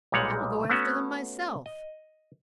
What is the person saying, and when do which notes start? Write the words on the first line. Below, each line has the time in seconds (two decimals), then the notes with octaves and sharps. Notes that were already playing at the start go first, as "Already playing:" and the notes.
'I will go after them myself.
0.12 B1 A#2 G3 G#3 C#5 F#5
0.70 A3 B3 C#4 F#4
1.66 D#5